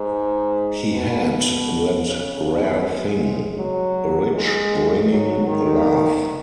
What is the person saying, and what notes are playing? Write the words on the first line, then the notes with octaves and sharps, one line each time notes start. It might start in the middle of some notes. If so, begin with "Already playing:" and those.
He had that rare thing, a rich, ringing laugh.
Already playing: G#2
B2
C#3
B2
G#3
F#3
G#3
F#3
D#3